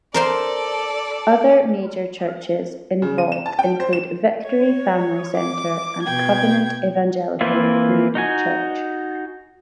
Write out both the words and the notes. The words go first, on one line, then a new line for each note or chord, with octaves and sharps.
Other major churches involved include Victory Family Centre and Covenant Evangelical Free Church.
A4 A#4 C5 D5 C6
C#3
D#7
E7
A5
G5
C5
E7
C#5
D6
B2 G5 G#6
E3 A#3 C4 E4 F4
D#4 F#4 G#5